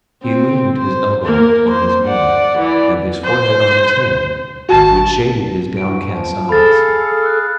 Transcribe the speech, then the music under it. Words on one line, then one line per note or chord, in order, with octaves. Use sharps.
He leaned his elbow on his knee, and his forehead on his hand, which shaded his downcast eyes.
C4
C5
A#3 A#4
C5
D5 F#5
E3 D5
C5
G#1 F#4 A5
G2 E3 F#4 D7
F3
G#4 A4 F5 B5 A6
F#6